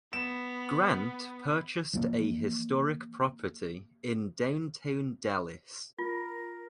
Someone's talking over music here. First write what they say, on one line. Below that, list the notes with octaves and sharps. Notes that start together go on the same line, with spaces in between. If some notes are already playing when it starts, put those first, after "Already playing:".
Grant purchased a historic property in downtown Dallas.
B3 E7
E3 F3 A#3
F4 A#4